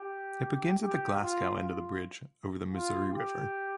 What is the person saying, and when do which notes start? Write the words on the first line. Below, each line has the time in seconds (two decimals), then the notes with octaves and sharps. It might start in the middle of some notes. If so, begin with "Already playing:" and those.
It begins at the Glasgow end of the bridge over the Missouri River.
Already playing: G4
0.82 G4
1.20 F4
1.58 F4
2.73 F4
3.12 G4